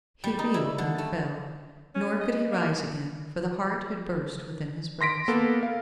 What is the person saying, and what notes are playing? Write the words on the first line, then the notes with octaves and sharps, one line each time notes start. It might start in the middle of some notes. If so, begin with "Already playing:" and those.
He reeled and fell, nor could he rise again, for the heart had burst within his breast.
G3
D#4
E4
D3
A3
C#4
D#5
A#3
C6 A#6 B6 D7
A#3 B3 A4
A#4 F5